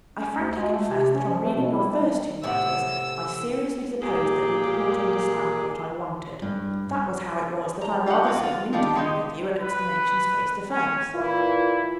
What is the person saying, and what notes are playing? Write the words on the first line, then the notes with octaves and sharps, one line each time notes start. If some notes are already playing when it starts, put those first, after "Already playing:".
I frankly confess that on reading your first two letters I seriously supposed that you did not understand what I wanted; that was how it was that I rather sought an interview with you and explanations face to face.
C#4
D2
G#3
A3
C3
C#4
F3
A3
B2
E4
G3
A2 C3 E5 F#5 E6
A#2 A#3 G4 G#4
G2
A#5
F4 G4 A#4 D#5 F#5
A#2 F4 F#4
F4
D#3 G3 D4 F4
D#3 G#3 D#4
B4
C#4
A#2 E3 E4 F4